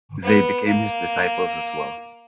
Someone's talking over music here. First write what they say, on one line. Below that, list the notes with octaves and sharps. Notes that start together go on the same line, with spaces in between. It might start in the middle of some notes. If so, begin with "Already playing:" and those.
They became his disciples as well.
B3
A#3